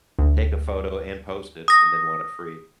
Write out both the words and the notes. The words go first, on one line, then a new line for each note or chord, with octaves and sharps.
Take a photo and post it, and then want it free.
D2
D#6 A#6